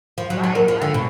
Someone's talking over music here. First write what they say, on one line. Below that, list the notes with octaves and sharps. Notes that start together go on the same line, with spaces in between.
Right, right.
F3
F#3
F#3
A#3
F3
D3
B2